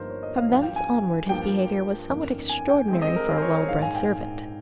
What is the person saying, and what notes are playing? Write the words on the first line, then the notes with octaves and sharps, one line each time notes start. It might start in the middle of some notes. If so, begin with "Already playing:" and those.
From thence onward his behaviour was somewhat extraordinary for a well-bred servant.
Already playing: G1 G2 F3 A#3 D#4 A#4 C5
C#5
D#5
F5
G#1 G2 F3 F5
G5
G#5
G2 F3 A#3 G5
G1 F2 D#3 A#3 C#4
G#5
G5
G2 F3 G#3 C4 G5
D#5
A#4
G#4
C5
C#5
C#5
A#1 G#2 D#3 F5
G#5
G5